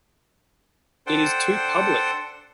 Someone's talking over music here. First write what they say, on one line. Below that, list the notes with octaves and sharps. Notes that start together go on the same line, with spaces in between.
It is too public.
D4 A4 C5 F#5 G5